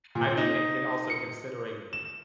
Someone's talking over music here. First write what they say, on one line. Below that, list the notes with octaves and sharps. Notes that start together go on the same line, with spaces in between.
I mean and can also considering
A#2
D#4
C#7
E7